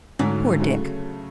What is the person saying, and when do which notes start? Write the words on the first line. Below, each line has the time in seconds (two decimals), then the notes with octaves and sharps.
Poor Dick!
0.19 D2 G#2 D3 F#3 A3 C#4
0.60 C#3 F#3 A3